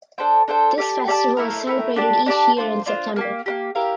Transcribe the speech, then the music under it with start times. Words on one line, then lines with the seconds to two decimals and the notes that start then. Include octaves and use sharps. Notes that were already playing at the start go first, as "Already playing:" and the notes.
This festival is celebrated each year in September.
0.18 D4 A4 C5 G5
0.48 D4 A4 C5 G5
0.78 G4 D5 F5 A5
1.08 G4 D5 F5 A5
1.37 A3 E4 A#4
1.67 A3 E4 A#4
1.96 D4 G4 D5 A5
2.26 D4 G4 D5 A5
2.57 D4 F4 C5
2.86 D4 F4 C5
3.16 A#3 D4 G4
3.46 A#3 D4 G4
3.75 E4 G4 A#4 F5